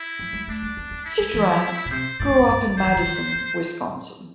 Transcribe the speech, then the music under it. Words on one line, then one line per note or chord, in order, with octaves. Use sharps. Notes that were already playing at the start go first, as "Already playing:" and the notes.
Sidran grew up in Madison, Wisconsin.
Already playing: E4
F3
G3
A3 D4
G3
B3
B3
E4
G3
E3
B2
C3 C5
A2 D5
G2
A2
G2
G3
F3 C5
E3
D3
E3
E3